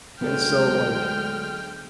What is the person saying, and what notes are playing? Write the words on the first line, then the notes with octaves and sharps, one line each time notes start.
and so, like,
D2 F#3 G#3 B3 A4 C#5 G5 F6